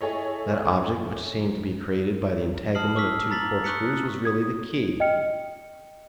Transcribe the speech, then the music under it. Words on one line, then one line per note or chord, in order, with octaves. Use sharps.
That object which seemed to be created by the entanglement of two corkscrews was really the key.
E4 G#4 A4 C#5 D#5
A5 D#6 F6 C7 F#7
C#6 D6 E6 F6 B6
A#5 A6 B6 F#7
C#6 D#6 F#6 B6 C#7
D#6 G#6
D#5 G5 F6 C#7